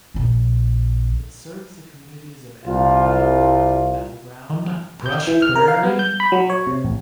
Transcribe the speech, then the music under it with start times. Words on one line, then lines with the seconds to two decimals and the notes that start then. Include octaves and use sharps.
It serves the communities of Amboy, Battle Ground, Brush Prairie and Yacolt.
0.14 A#1 C4
2.65 C2 F4
5.06 G6
5.27 E3
5.42 F6
5.55 A#4
5.68 F5
5.83 B3
5.99 G6
6.20 B5
6.32 F#3
6.50 C#5
6.67 C3
6.84 A1